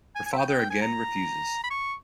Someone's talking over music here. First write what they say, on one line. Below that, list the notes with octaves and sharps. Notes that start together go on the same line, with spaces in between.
Her father again refuses.
G#5
G#5
E5
G5
G5
G5
G#5
A#5
B5
C#6